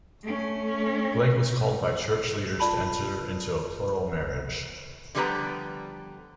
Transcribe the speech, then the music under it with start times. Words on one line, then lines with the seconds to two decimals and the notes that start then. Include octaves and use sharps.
Flake was called by Church leaders to enter into a plural marriage.
0.23 A3 C#4
2.60 F4 D5 A5 B5
5.15 D3 F3 G3 B3 B4 A#5